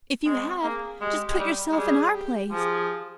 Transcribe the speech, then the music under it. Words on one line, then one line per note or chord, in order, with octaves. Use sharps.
If you have, just put yourself in our place.
G#3 C4
A#3 G#4
G#3 G4
G#3
G3
G#3
G3 G#4
G4
F3 G#4